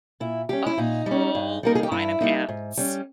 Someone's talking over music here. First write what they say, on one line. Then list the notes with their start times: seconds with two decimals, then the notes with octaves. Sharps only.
a whole line of ants
0.20 A#2 E4
0.49 G3 C#4 G4
0.66 E4
0.78 A#2 D#4
1.06 G3 C#4
1.35 G2
1.63 G3 A#3 D#4 A#4
1.75 G#4
1.83 G4
1.91 G2 E4
2.21 G3 A#3 D#4
2.49 G#2
2.77 G3 C#4